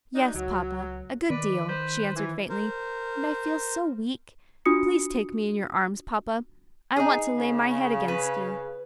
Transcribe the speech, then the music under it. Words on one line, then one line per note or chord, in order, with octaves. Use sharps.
"Yes, papa, a good deal," she answered faintly; "and I feel so weak. Please take me in your arms, papa, I want to lay my head against you."
F#3 D4 D#4
C#2 F#3
D#3 B4 D5
B4 C5
E3
A#4 C5
D4 F4 F#4 D#6 C#7
D#4 G#4
C#3
B4